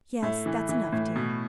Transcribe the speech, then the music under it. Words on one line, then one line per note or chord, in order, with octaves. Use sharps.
"Yes, that's enough, dear."
A2 A3
E3
E3
A2
B2